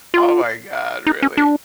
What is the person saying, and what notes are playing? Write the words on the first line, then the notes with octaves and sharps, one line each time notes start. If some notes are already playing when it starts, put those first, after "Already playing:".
Oh my god, really?
F4
D#4
C#4
D4